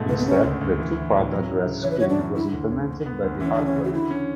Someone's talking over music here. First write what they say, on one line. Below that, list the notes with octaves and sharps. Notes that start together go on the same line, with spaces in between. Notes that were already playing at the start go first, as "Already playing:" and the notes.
Instead, the two-part address scheme was implemented by the hardware.
Already playing: G#2 B2 A3
C#2 B4
B3
C#3 C#4
D2
D2
E3
E4
A2
F#3
E4
C#3
E3 C#5
B4
F#4 C#5
D4
F#2
D3 E4
D2
D2
D3
B3
D2
E3 C#4
D4
C#3
C#4
C#3
F#4
D3 E4
C#4